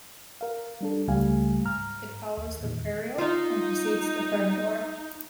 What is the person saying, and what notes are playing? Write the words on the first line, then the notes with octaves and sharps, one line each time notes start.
It follows the Prairial and precedes the Thermidor.
A#4 F5
G3 D4 A4
C#2 C#3 G3 A3 F5 G#5
G#2 A#5 F6
D#2
E2 A#2 D#3
D#4 F4